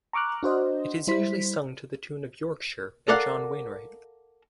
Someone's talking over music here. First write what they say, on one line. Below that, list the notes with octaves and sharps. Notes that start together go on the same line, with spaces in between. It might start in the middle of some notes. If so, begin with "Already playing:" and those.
It is usually sung to the tune "Yorkshire" by John Wainright.
A#5 C#6 D6 F6 F#6
D4 F#4 C5 D#5
G3 E4 C5 B6
A4 A#4 D5 F5 F#5